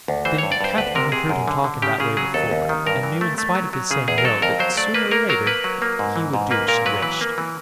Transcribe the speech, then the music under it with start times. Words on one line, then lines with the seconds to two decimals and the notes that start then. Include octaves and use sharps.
But, then, Katherine had heard him talk in that way before, and knew, in spite of his saying "no," that, sooner or later, he would do as she wished.
0.08 D2
0.25 E3 C5
0.38 G2 C#5
0.52 D5
0.61 G2 C5
0.77 D2 B4
0.95 C3 A#4
1.12 C3 G#4
1.29 F#2
1.48 D3
1.64 D3
1.82 C#3 G4
2.00 C#3 G#4
2.17 F#3 G#4
2.34 D#2 A4
2.51 D#2
2.69 D#3
2.86 G2 A#4
3.03 E3
3.21 A3
3.38 A3
3.55 F#3
3.73 F#3
3.91 C#3 G#4
4.08 E2 G#4
4.18 A#4
4.25 F#3 A4
4.42 F2 A#4
4.59 F#3 C5
4.77 A3 D5
4.94 A#3 B4
5.11 A#3 A#4
5.29 F#3 A#4
5.46 A#3 B4
5.64 F#3
5.82 A#3
5.99 G#2
6.16 E3
6.33 G#2
6.51 A#3 B4
6.68 A#2 A#4
6.86 F#3 B4
7.02 E3 B4
7.21 A#3
7.38 E3